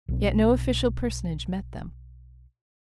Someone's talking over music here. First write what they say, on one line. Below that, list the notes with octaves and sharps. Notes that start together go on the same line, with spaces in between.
Yet no official personage met them.
B1 B2 C4